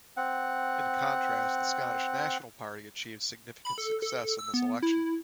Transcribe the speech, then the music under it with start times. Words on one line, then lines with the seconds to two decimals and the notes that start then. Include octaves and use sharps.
In contrast the Scottish National Party achieved significant success in this election.
0.17 C4 F#5
3.65 B5
3.78 A4
4.02 A4
4.39 E6
4.54 B3
4.83 E4